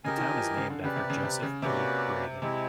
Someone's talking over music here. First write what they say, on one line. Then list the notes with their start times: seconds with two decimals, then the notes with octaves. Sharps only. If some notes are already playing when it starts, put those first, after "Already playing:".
The town is named after Joseph P. Braden.
0.04 C#3 G4 A#4 D#5 G#5
0.18 D#3
0.31 F3
0.44 E3
0.57 C#3
0.70 D3
0.83 C#3 G4 B4 D5
0.96 C3
1.10 C#3
1.23 C3
1.42 C#3
1.62 C3 A#3 C#4 F#4 B4 D5
2.41 C3 G#3 C4 E4